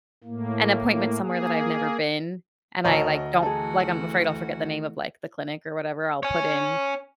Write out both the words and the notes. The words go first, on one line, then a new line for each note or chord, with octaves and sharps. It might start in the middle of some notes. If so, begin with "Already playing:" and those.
an appointment somewhere that I've never been, and I like don't like, I'm afraid I'll forget the name of like the clinic or whatever, I'll put in
A2 A#3
A#3 G#4
D2 A4 C#5 D#5 A#5
E3 A3 F#4 G#4 A4
C#5 G#5